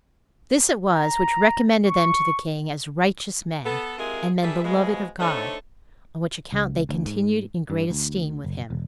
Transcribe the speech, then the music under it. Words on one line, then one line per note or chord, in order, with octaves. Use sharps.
This it was which recommended them to the king as righteous men, and men beloved of God, on which account they continued in great esteem with him.
A#5
C#6
B3 A4
C3 G#3 E4 F4 G#4 A#4
G3 G#4 A4 B4 E5
B2 F3 G#3
D3 A3 C4 D#4 A4 C#5
C#2
D2
G#2
G2
D2
F#1
E1